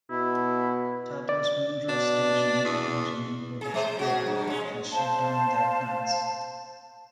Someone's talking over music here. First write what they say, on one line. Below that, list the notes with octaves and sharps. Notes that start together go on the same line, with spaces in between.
Tata’s Mundra station depends on imported coal has shutdown their plants.
B2 E4
D5
B2 D4
E2
C#3 G#4
G#3 C5
C#3 F#4 G#4
G2
G#3 C#4
G#3
C5 F5 A5